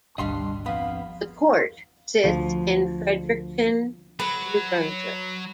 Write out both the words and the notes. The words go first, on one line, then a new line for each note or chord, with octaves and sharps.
The court sits in Fredericton, New Brunswick.
G#1 D2 B2 G3 D4 D#5 F5 C6
F2 B3 B4 F5
D2 F3
F#3 B4